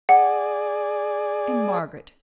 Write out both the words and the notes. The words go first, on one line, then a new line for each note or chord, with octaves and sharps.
And Margaret?
G#4 D5 F#5